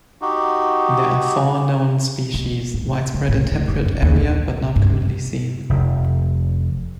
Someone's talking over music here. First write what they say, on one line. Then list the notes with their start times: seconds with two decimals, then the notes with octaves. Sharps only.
There are four known species, widespread in temperate area but not commonly seen.
0.22 D#4 F#4 G4
2.34 B2
2.74 A2
3.14 C#3
3.29 A2
3.52 A2
3.68 F#1
3.85 F#2
4.02 D#2
4.16 A#1
4.76 G2
5.70 F1